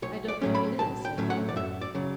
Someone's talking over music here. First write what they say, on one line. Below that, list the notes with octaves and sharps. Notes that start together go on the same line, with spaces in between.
"I don't think it is," said Robert.
B1 C#5
D5
A2 F#3 A3 C#4
B5
B1 A5
G5
A2 F#3 A3 C#4
F#5
D5
F#2 E5
D5
C#3 F#3